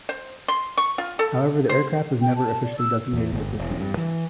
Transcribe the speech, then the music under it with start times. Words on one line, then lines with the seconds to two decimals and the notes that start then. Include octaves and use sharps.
However, the aircraft was never officially designated with this name.
0.09 C5
0.48 C6
0.77 C#6
0.98 F4
1.19 A4
1.69 C5
2.20 G5
2.35 A5
2.61 D5
2.78 E6
3.13 E2
3.33 G1
3.59 E1
3.80 G2
3.97 E3